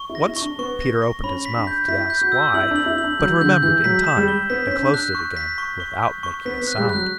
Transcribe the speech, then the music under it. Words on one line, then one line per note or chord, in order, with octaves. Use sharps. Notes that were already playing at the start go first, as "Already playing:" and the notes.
Once Peter opened his mouth to ask why, but remembered in time and closed it again without making a sound.
Already playing: C#6
E4
A#6
E4
C#6
D4
B3 C#6
A#6
C#6
C#4 B5
B6
D4
G6
E4 B6
G6
F#4
E6
E4 F#7
D4
F#7
E4
F#7
D4
F#3 G6
D3 G6
E3 G6
F#3 B6
E7
G3
G7
B3 B6
C#4
B6
D4
F#6
C#6
B6
C#6
C#6
C#6
C#6
B3 B6
B3
F#6
G3
F#6
F#3